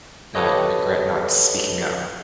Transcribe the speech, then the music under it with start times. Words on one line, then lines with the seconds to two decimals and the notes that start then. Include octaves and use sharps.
not regret not speaking up.
0.35 G4 A4 B4 C#5 D#5